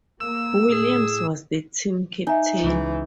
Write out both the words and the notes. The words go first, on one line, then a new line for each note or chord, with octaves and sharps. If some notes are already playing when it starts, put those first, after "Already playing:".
Williams was the team captain.
A#3 E6
A2 G#4
D#4 E5 G#5
C#2 E3